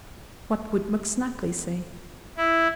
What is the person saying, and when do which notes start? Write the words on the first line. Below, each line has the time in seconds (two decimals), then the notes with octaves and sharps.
What would McSnagley say?
2.37 E4